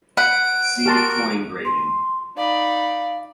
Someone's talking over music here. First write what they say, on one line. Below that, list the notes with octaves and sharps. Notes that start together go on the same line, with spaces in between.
See coin grading.
F#5 B5 D7
F#4 G4 A#4 A5 C6
C6
D#4 D5 F5 B5